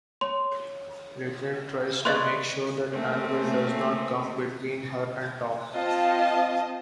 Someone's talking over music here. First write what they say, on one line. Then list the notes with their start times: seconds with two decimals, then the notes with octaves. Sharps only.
Lynette tries to make sure that Annabel does not come between her and Tom.
0.21 C#5 C6
2.05 B4 D5 D#5 C6 C#6 F#6 G#6 A6
2.91 A3 A#3 C4 C#4
5.74 C4 F4 D#5 A5